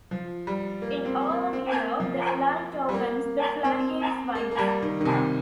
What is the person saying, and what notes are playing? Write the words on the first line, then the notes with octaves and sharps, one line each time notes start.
In all of Europe the elite opens the floodgates wide.
F3
G3
A#3
C4
A#3
C4
A#3
F3
G3
A#3
C4
A#3
A#3
G3
D#3
D#3
C3